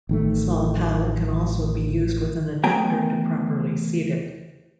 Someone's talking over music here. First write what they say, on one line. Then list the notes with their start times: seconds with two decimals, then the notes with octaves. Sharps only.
The small paddle can also be used with an adapter to properly seat it.
0.09 A1 D#3 A3
2.64 E2 A3 B3 G5 G#5 A#5